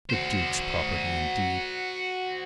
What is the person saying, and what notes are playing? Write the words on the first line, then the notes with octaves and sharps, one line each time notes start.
The Duke's property, indeed!
F#4 C5